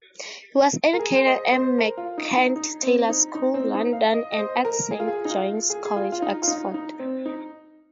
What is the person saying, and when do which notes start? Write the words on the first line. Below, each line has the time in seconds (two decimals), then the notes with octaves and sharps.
He was educated at Merchant Taylors' School, London and at Saint John's College, Oxford.
0.93 A#4
0.99 G#4
1.16 C5
1.26 D#5
1.53 C5
1.78 A#4
1.97 F4
2.18 D#4
2.37 D#4
2.56 D#4
2.83 C4
3.09 D#4
3.35 D#4
3.54 C4
3.74 D#4
3.93 F5
4.13 D#5
4.32 D#5
4.38 C5
4.65 A#4
4.91 G#4
5.00 F4
5.08 G#4
5.25 D#4
5.30 F4
5.70 G#4
5.85 G#4
5.96 F4
6.12 F4
6.22 D#4
6.43 F4
6.48 D#4
6.74 D#4
6.99 C4
7.26 D#4